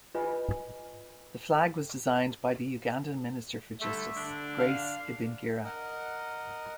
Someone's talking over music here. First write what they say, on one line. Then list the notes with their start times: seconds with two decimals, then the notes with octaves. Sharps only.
The flag was designed by the Ugandan Minister of Justice, Grace Ibingira.
0.15 F4 B4 D#5 G#5 B5
3.81 D3 G3 A3 E5
4.16 D3 D4
4.58 F5
5.64 A#4 D#5 F#5